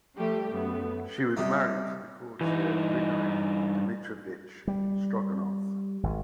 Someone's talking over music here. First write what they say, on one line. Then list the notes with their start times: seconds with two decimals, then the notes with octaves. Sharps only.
She was married to the courtier Grigory Dmitriyevich Stroganov.
0.18 F3 G3 A3 G4
0.50 F#2 A3 B3
1.37 C3 G3 D#4
2.41 G2 E3 D#4
4.67 G3
6.03 G#1